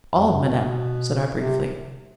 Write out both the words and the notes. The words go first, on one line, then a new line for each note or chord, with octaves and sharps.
"All, madame," said I, briefly.
F2
F#2
B2
C3